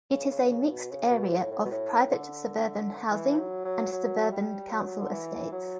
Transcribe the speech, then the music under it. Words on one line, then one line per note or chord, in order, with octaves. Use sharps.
It is a mixed area of private suburban housing and suburban council estates.
C#3
C#3
C#3
B2
C#3
B2
A2
A2
B2
A2
A2
D3
E3
F#3
F#3
F#3
G3
F#3
D3
E3
F#3